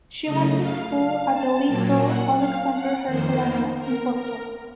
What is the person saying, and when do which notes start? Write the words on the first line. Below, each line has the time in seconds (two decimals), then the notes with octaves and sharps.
She went to school at the "Liceu Alexandre Herculano" in Porto.
0.24 F#2 C#3 A3 D#5
0.59 F5
0.95 F5
1.31 A5
1.66 A#2 F#3 A#3
2.01 F#5
2.37 F5
2.72 F#5
3.06 F2 D#3 A#3 C5
3.78 A#4
4.13 A#4